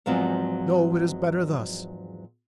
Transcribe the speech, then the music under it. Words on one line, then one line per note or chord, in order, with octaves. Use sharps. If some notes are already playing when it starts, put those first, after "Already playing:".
No, it is better thus.
E2 G#2 F3 F#3 C4 F4